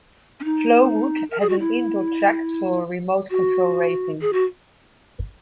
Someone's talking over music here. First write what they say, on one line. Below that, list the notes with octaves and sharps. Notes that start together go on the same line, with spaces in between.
Flowood has an indoor track for remote control racing.
C#4
D#4
A#4
G#4
F#4
E4
F#4
G#4
F#4